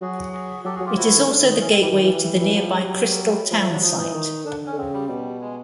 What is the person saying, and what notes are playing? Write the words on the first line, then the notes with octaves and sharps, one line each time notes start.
It is also the gateway to the nearby Crystal townsite.
F#3 F#4 G#4
F#4 G#4
F#3 G4 A4
F#4 G#4
F#3
F4 G4
F3 E4 F#4
E3
D#3
D3 D4
E4
D#3
D#4
E3 C#4
C4
E3 G3
D#3 G3
E3
E3
E3
E3
F3 G3
F#3
F3 G#3
A3
F#3 D4
F3 D#4
E3 D#4
D#3
D3 D4
C#4
D3
C#3 C4
G3
B2 G3
G#3